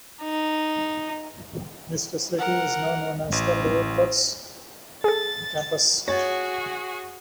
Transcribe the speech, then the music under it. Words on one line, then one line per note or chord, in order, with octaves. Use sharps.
This facility is now known as the Lower Bucks Campus.
D#4
A#4 F#5
A1
G#4 A4 A6
F#4 G#4 C#5 A6